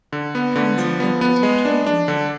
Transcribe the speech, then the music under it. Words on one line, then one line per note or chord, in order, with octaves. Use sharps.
Pansy looked at her pleadingly.
D3
B3
D3
F3
B3
B3
G#3
D4
D4
D3